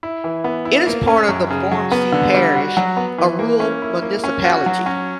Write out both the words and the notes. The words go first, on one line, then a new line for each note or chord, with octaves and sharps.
It is part of Vormsi Parish, a rural municipality.
E4
E3
B3
E4
A#3
C#4
F#2
C#3
F#3
B3
D3
G3
F#4
F#3
B3
E3
A#3
C#4
E4
A#3
C#4
F#4
F#3
C#4